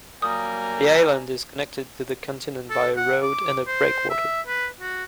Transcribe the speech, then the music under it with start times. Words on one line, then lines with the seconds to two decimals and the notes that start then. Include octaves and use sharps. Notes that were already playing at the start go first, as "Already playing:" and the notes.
The island is connected to the continent by a road and a breakwater.
0.22 F#3 G3 A#3 G#5 A#5 D#6
2.70 A4
2.97 F#5
3.22 D6
3.67 C5
4.10 E5
4.47 B4
4.81 F#4